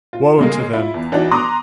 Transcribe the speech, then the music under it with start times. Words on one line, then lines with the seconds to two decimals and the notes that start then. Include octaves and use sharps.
Woe unto them!
0.13 F4
0.39 C#3 G#3 A#3
0.73 E4 F4
0.94 E2
1.12 E3 D4 D#4 F#4
1.31 A#5 C6 D6 D#6 F#6 A#6